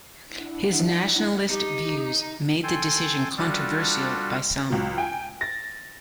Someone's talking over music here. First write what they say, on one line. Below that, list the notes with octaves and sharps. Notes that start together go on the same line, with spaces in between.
His nationalist views made the decision controversial by some.
D4 E4 F#5
D#4 G4
A4 G5 G#5 C6
G3 D4 F4 F#4 A4
C#2 F#3
G5 G#5
A6 A#6